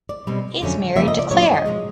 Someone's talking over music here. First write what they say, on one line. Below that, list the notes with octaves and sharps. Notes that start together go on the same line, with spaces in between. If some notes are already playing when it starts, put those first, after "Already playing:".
He is married to Claire.
D5
B2 G3 C4
F2 D3 F#3 A3 C#4
F#2 C#3 F3 A#3 E5
D#5
D5
A#2 F#3 B3 D4 C#5
D5
D#5
C3 F3 G#3